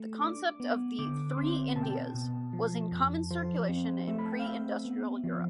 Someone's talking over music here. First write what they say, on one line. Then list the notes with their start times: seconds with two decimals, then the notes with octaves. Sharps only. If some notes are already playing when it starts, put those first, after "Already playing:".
The concept of the "Three Indias" was in common circulation in pre-industrial Europe.
Already playing: A3
0.21 D4 D6
0.60 B3
0.99 D3 D6
1.31 D6
1.37 C4 C6
1.76 B2 A5
1.83 G5
1.90 A5
2.14 B2
2.53 F3
2.92 F2
3.31 F3 C5
3.69 C4
4.07 A3 E5
4.18 B5
4.25 A5
4.32 G5
4.40 F5
4.46 C4 E5
4.85 B3
5.24 F3